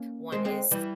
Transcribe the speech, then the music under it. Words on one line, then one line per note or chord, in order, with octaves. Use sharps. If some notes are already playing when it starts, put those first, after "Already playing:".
one is
Already playing: A#3 C#4
G#3 C4
G#3 C4
E3 G3